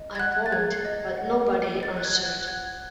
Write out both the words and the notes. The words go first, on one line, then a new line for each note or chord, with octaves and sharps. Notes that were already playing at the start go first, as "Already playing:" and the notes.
I phoned but nobody answered.
Already playing: D#5
G#6
F#5 F#6
A6
G#4 G#6
D#5
F#5
D#5
D#5 A6
F#6
G#6
F#5
F#6
F#5 G#6